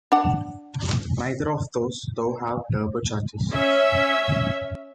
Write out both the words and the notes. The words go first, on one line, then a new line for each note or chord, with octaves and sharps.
Neither of those, though, have turbochargers.
D4 F#5
C#4 E5